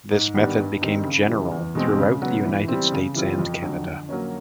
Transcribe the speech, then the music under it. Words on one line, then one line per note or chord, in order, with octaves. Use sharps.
This method became general throughout the United States and Canada.
G#2
D#3 G3 B3 D4
G2
D#3 G3 C4 D#4
C#3
E3 G3
E2
B2 G#3 C4
C#3
F#3 B3
E3
G3 C4
C#3
E3 G3 C4 F4
F2
D3 F#3
D3
F#3 A#3 C#4